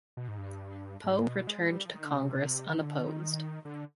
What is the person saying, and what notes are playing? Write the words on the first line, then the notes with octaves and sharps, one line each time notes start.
Poe returned to Congress unopposed.
B2
G#2
G2
G#2
B2
G#3
G3
F3
D#3
D3
C3
C3
D3
D#3
D3
D#3
D3